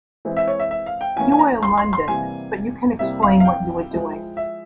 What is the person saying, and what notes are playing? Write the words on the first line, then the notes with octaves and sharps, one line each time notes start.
You were in London, but you can explain what you were doing.
E3 G#3 C4 E4
E5
C#5
E5
E5
F5
G5
E3 A#3 C#4 G#5
G#5
A#5
C6
C6
C6
C3 E3 G3 A#3 G#5
C3 G3 A#3 E4 E5
F5
F5
G5
F3 G#3 E4
E5